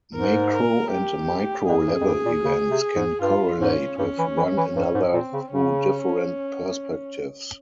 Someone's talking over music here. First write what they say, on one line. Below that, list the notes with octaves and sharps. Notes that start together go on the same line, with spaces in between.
Macro and Micro level events can correlate with one another through different perspectives.
G#2 A#4
A#4
G4
F2 G#4
G2
F2
G2
A#2
C#3
C3
G#2
G2 F4
G#2 C#4
G2 C#4
E3
E3
E3
G2 C#4
G#2
A#2 C4
C#3
C#3 C#4